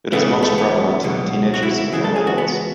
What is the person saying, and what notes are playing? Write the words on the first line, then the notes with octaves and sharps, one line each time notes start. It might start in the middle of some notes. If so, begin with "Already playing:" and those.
It is most prevalent in teenagers and young adults.
C#2 C#3 E3 B3
A3
B3
C#2 B2 F#3
F#4
E4
E4
C#2 C#3 E3 G#4
A4
G#4
F#4
B3